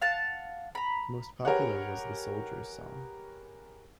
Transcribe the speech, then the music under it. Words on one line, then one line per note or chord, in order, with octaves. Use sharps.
Most popular was "The Soldier's Song".
F5 F#5 A5
A#5 B5
G4 G#4 A#4 B4 C#5 F#5